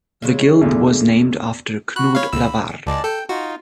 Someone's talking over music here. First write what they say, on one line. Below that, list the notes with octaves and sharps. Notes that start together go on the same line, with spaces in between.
The guild was named after Knud Lavard.
C#3 F#3 G#3
E2 A#2 D3
F#4 B5 F#6
C#5 F5 B5
C#2 E6
C#2 G#3 D5 A5
A4 G5
D#4 F4 F#4